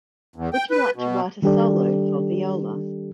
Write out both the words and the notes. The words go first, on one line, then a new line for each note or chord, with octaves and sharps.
Would you like to write a solo for viola?
E2
G5
B4
B2
D#3 G3 D4 G4 A4 D5